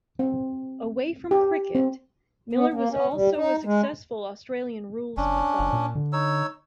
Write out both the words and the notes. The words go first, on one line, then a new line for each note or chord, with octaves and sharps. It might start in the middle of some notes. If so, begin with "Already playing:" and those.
Away from cricket, Miller was also a successful Australian rules footballer.
C4
G4
C4
B3
A#3
C#4
G3
D#4
G#3
F#1 C#4 D4
F#1
A#2
D3
D#4 C#5 E6